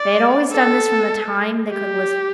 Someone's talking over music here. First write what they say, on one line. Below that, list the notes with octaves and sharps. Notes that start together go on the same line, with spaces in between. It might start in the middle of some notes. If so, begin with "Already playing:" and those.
They had always done this from the time they could lisp...
Already playing: D5
A4
G4